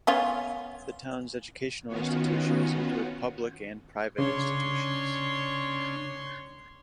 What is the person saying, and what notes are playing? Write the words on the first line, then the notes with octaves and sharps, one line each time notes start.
The town's educational institutions include public and private institutions.
B3 C#4 F4
D#3 B3 C#4 F4 F#4
C#3 C#4 D4 C#5 C6